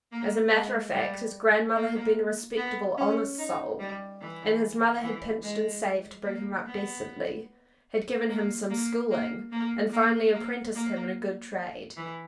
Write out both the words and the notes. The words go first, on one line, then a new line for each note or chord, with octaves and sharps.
As a matter of fact, his grandmother had been a respectable, honest soul, and his mother had pinched and saved to bring him up decently, had given him some schooling, and finally apprenticed him in a good trade.
A#3
G#3
G3
A#3
B3
C#4
D#4
G3
E3
E3
G#3
A#3
B3
A#3
A#3
A#3
A#3
A#3
A#3
A#3
E3